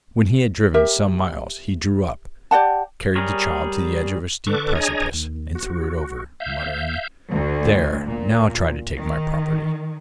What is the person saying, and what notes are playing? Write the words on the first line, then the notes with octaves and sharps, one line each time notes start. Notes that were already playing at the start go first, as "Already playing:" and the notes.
When he had driven some miles he drew up, carried the child to the edge of a steep precipice and threw it over, muttering, 'There, now try to take my property!'
G4 A#4 E5
G4 D5 F#5 A5
G3 G#4 A#4 C#5
D3 A4 B4 C#6 D6
D4 G#4 C#5 D#5 G#5 A#5
D#2
F#4
E5 F5 G6
D2
A#2
D#3